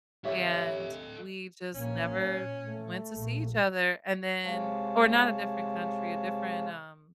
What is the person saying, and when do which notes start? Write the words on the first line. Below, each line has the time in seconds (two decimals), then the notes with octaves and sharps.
and we've just never went to see each other. And then or not a different country, a different, um,
0.25 G4 A4 C#5 D#5 E5
1.75 A#1 A#3 C#4
2.14 A#2
2.63 A3
3.14 A#1
4.44 C3 G#3 C5 C#5 F5 A5